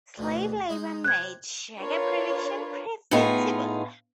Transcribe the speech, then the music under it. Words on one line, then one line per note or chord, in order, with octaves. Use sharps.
Slave labour made sugar production profitable.
D2 B2 E3
G#3 D#4
C3 F#6 G#6
D4 F4 A#4 B4 C#5
A2 B3 D#4 F4 G#4